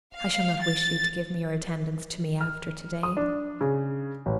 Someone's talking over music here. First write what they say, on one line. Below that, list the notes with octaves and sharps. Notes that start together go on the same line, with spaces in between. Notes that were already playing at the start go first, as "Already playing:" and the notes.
I shall not wish you to give your attendance to me after to-day.
F5
A6
F6
D#6
D4
C#3
A1